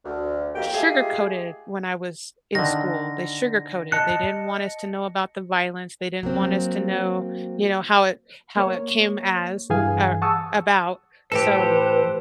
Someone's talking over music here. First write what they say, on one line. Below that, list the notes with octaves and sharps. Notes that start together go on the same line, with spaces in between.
sugar-coated when I was in school, they sugar-coated. They didn't want us to know about the violence, they didn't want us to know, you know, how it how it came as, or, about, so,
D2
F2 D#3 A#3 F#4 G4 G5
G#3 A3 F4 G4 G#4
D3 D#3 A#6
D#5 A5 F#6 C#7
F#3 A#3 C4
A#3 C#5
G2 E3 G#4 F5 G#5
F#5 A5 C#6 D#6 E6
A2 E3 G4 A4 B4 C5